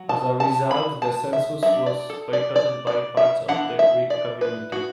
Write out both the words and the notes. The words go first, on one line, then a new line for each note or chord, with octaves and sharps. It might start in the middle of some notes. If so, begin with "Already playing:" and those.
As a result, the census was boycotted by parts of the Greek community.
Already playing: F#3
A5
A5
B5
A5
E5
F#3 D4 E5
D5
A4
D5
D5
D5
E5
E3 B3 D4 F#5
E5
D5
B4
F#4